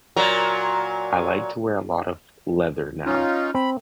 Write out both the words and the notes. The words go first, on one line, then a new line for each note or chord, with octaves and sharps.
I like to wear a lot of leather now.
A#2 F#3 A#4
C#4 D#4 F4
C4 B5